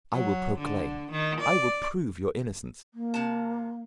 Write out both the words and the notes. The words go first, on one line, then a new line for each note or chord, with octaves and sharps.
I will proclaim, I will prove your innocence.
F#3
D3
D#3
D5
A#3
C3 A5